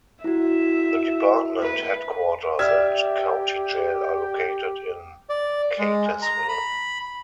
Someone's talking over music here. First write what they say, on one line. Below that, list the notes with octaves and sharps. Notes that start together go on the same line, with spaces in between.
The department headquarters and county jail are located in Keytesville.
E4 F#4 E5
B4
G4 D5 E5 F6 G#6
D5
G#3
A#5
B5